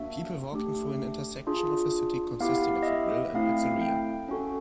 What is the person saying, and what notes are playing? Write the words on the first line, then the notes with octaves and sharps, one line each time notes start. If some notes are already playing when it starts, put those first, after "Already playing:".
People walking through an intersection of a city consisting of a grill and pizzeria.
Already playing: A#3 D4 F#4 E5
A3 D4 G4
D4 F4 G#4
B3 E4 G4 F5
D#5
E5
A3 C4 E4 F5
G5
C#4 F#4 A4